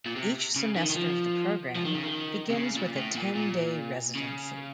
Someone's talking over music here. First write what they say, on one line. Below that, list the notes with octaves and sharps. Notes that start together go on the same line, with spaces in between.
Each semester of the program begins with a ten-day residency.
A#2
C3
C#3
D#3
D#3
F3
F3
D#3
C#3
D#3
C3
C#3
A#2
A2
A#2
A#2
C#3